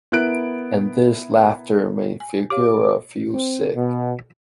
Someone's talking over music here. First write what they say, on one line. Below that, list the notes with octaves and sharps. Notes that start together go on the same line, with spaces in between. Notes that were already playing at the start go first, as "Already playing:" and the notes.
And this laughter made Figura feel sick.
B3 E4 A#4 F#6 D7
G#5
G4 C#5 F5 D6
C4
B2